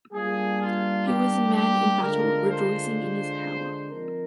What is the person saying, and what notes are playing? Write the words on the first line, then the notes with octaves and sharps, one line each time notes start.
He was a man in battle rejoicing in his power.
G3 A#3 D4 F4 G#4
F4
G4
G4
D3 G#3 D4 F4 A#4
C5
F3 C4 D#4 A#4